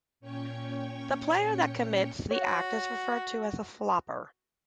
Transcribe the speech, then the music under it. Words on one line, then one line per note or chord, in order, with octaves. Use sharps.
The player that commits the act is referred to as a "flopper".
A#2 C#4 C#5 G5 C#6
F#4 C#5